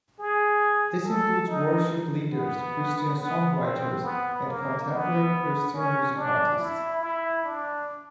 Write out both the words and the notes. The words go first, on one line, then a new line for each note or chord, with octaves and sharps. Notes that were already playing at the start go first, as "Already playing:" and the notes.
This includes worship leaders, Christian songwriters, and contemporary Christian music artists.
G#4
A4
D#4
B3
B3
C4
B3
A#3
B3
C#4
D4
E4
E4
D4